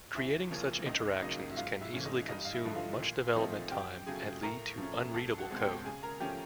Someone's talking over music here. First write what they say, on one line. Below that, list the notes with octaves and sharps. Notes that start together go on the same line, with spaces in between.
Creating such interactions can easily consume much development time and lead to unreadable code.
D2 E4 E5
C#3 F3 A#3 C#4
C#2 D#4 D#5
C#3 F#3 A#3 D#4 D#5
E5
G#2 F4 F5
E4 E5
E3 A3 C#4
D#4 D#5
G2 D#4 D#5
F5
E4 E5
D3 F3 A3
F4 F5
A#2
F3 A3 C4 D#4
F#2 G4 G5
C#3 F#3 A3 G#4 G#5
A2 A#4 A#5
F3 A3 C#4
C#2 A4 A5
F#4 F#5
B2 G#3 C4
G4 G5
C#3 G#4 G#5
A#4 A#5
F3 A3 C#4 G4 G5